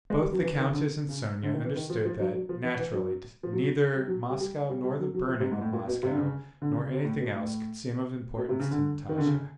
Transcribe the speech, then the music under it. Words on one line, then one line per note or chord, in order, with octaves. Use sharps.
Both the countess and Sonya understood that, naturally, neither Moscow nor the burning of Moscow nor anything else could seem of importance to Natasha.
G#3
G3
F#3
E3
D#3
D3
C#3
D3
D#3
E3
D#3
F3
F3
F#3
F#3
F3
E3
E3
F#3
F3
F#3
G3
F#3
G3
G3
G3
G3
F#3
F#3
F3
C3
G#2
A2
A#2
B2
C3
D3
C#3
D3
C#3
C#3
C3
A2
B2
A2
B2
C3
C#3
D3
D#3
D3
C#3